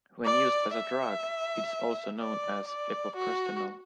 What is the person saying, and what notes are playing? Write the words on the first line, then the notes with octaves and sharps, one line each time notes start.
When used as a drug, it is also known as epoprostenol.
D5
E5
D5
D5
F#4